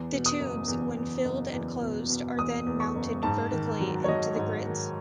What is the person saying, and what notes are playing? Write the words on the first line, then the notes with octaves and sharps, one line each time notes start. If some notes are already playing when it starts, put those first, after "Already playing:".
The tubes, when filled and closed, are then mounted vertically into the grids.
Already playing: E2
B2
D#6
F#1
E2
E2
F#1
E2
B2
B2
E2 D#6
E2
C#6
F#1
G#2 A5
D#3
F#3
C#5
F#3 D#5
G#2
D#3